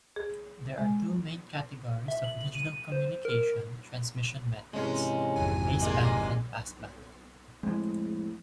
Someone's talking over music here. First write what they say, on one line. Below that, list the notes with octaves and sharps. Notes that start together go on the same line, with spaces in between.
There are two main categories of digital communication transmission methods: baseband and passband.
G#4
G#3
E5
F#7
D#7
C5
A#4
G#2 C3 E3 G#3 C#4
G#1 F2 G#5
A#2 G#3 A#3
F2 A2 G#3